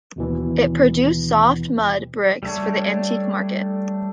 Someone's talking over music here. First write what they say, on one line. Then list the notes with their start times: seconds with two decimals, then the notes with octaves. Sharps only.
It produced soft-mud bricks for the antique market.
0.16 D#2 B2 E3
2.43 G3 A3 D4 C#5